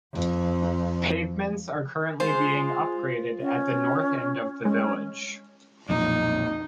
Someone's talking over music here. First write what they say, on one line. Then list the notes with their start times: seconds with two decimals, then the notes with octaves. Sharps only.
Pavements are currently being upgraded at the north end of the village.
0.14 F2
2.20 G#3 F4 C5
3.41 C#4
4.65 G#3 C#4
5.89 B1 F2 A#2 D#4